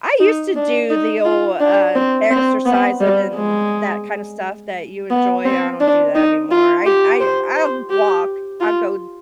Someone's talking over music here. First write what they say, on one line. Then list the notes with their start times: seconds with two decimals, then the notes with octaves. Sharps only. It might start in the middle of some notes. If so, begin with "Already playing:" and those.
I used to do the old, uh, exercising and that kinda stuff that you enjoy, I don't do that anymore. I I I'll walk, I go
0.20 D#4
0.56 D4
0.90 D#4
1.25 F4
1.60 D4
1.95 C4
2.31 C4
2.66 B3
3.01 G3
3.35 G#3
5.10 B3
5.45 C4
5.80 D4
6.15 D#4
6.51 F4
6.86 G4
7.20 C5
7.56 C5
7.91 G4
8.60 F4